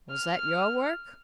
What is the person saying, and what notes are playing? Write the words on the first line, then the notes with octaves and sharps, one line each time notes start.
"Was that your work?"
F6